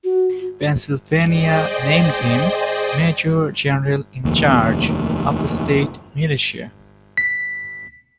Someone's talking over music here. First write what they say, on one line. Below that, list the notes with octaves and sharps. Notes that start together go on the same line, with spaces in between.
Pennsylvania named him major general in charge of the state militia.
F#4
G#4 C5 D5 D#5 G5
F1 D#2
B6